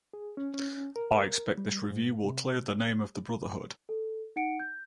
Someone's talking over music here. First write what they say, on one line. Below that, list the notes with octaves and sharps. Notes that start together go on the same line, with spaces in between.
I expect this review will clear the name of the Brotherhood.
G#4
C#4
C#4
A#4
G3
G#2
C3
A4
D#4 F#5 C#7 D7
G6